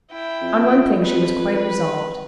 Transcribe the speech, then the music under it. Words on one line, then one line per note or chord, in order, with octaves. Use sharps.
On one thing she was quite resolved.
E4 G5
F2
B4
B4